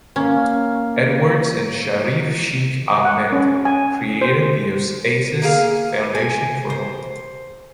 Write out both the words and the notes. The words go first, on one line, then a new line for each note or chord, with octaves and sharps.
Edwards and Sharif Sheikh Ahmed created the Oasis Foundation for Hope.
A#3 C#4 F5
F#5
C#4
G#5
C5
A#3 G#4 F5
G#5
C5